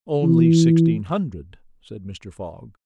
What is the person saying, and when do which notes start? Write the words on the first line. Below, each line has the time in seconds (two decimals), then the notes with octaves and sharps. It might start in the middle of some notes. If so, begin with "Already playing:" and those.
"Only sixteen hundred," said Mr. Fogg.
0.22 E3